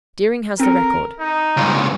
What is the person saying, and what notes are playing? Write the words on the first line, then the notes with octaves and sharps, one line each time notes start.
Deering has the record.
C4 A4 A#4
D#4
C#2 G2